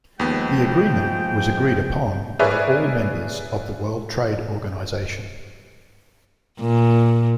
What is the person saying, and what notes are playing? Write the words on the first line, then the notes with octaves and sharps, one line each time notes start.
The agreement was agreed upon by all members of the World Trade Organization.
D#2 F3 G#3 B3 G5
G#4 A#4 B4 C#5 D5 E5
A#2